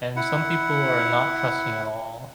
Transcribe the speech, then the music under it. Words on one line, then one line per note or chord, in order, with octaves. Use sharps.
and some people are not trusting at all,
E4 F#5